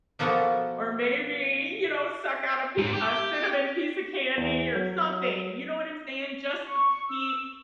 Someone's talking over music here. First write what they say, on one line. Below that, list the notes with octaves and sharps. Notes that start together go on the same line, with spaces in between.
or maybe, you know, suck out a pie a cinnamon piece of candy or something, you know what I'm saying? Just to keep
B2 F3 A#3 B3 F#4 A4
G#2
G4
E2
F#3
C#6
E6